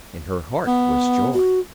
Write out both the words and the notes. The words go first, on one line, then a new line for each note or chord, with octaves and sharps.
In her heart was joy.
B3
F#4